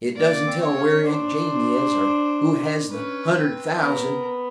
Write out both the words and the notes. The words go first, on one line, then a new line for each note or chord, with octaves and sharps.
It doesn't tell where Aunt Jane is, or who has the hundred thousand.
A#3 D5
C4
C#5
C#4
D4 C5
C#4 B4
C4
B3 A#4